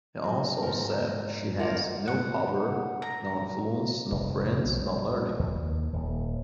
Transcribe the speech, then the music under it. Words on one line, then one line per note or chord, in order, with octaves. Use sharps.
He also said She has no power, no influence, no friends, no learning.
F#3
G#2 A#4
F4 A#4 D5 F#5
F#5
A#5
F1
B1
G3
D#2
D#1